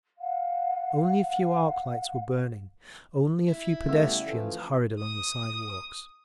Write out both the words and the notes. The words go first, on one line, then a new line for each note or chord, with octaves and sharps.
Only a few arc-lights were burning, only a few pedestrians hurried along the side-walks.
F5 F#5
E4
C#3 G3 A3 B3 E5 E6
E3 F3 A3
D#6